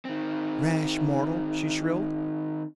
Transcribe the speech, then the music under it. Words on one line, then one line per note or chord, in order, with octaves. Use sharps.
"Rash mortal!" she shrilled.
D#3 C4